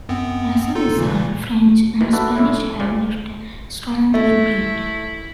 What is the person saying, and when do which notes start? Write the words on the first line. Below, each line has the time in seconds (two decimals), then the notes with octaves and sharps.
As a result, French, and Spanish have left a strong imprint.
0.09 F#2 B3 C4
0.75 D#4 F4 A4
0.98 A#2 C#3 E3
2.01 D2 D#3 E3
2.13 D4 E4 F#4 A4 B4 D5
2.35 F2 A2 E4
2.80 C#2 A#2 F3 D5
4.14 A3 E4